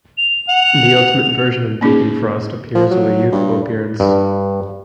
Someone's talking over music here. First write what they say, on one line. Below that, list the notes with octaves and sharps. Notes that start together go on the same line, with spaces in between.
The Ultimate version of Deacon Frost appears with a youthful appearance.
F7
F#5
A#3 C#4 D#4 G#4
F3
F#3
G2
G2